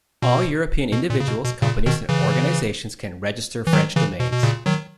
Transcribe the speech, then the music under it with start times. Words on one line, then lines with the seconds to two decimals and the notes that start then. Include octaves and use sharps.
All European individuals, companies and organizations can register French domains.
0.22 B2
0.92 B2
1.10 A#2
1.20 C#3
1.27 B2
1.45 B2
1.62 A#2 C#3
1.86 B2 D#3
2.09 C#3 E3
3.67 E3
3.73 D#3 F#3
3.96 C#3 E3
4.20 B2
4.33 B2
4.43 A#2 C#3
4.66 D#3 F#3